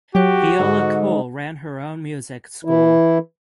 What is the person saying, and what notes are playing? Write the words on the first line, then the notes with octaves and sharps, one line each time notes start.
Viola Cole ran her own music school.
F#3 F#4 G4 C#5
G#2 D3
E3 E4